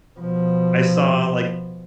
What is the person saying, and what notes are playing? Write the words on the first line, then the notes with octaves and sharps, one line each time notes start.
I saw like
B2 F3